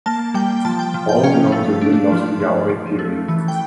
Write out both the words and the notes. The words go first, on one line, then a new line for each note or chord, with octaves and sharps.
All belong to the middle of the Yayoi period.
A#3 A5
G3 G5
F3 A5
G5
F3
G5
C#4 F5
A3
D4
F3
F3
F3
A3
E3
G5